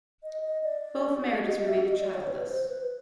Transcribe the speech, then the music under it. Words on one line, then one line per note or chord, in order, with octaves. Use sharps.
Both marriages remained childless.
D#5
D#5
D5
D#5
E5
D#5
D5
C#5
B4
C5
B4